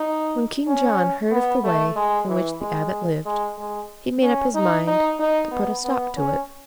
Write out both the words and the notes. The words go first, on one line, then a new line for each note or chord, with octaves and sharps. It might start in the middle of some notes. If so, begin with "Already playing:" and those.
When King John heard of the way in which the abbot lived, he made up his mind to put a stop to it.
Already playing: D#4
C#4
B3
A3
G#3
E3
G#3
G#3
G#3
C#4
D#4
D#4
D#4
B3
B3
C#4